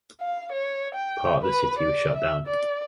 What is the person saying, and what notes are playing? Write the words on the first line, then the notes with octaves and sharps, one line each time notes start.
Part of the city was shut down.
F5
C#5
G5
B4
D5
E5
D5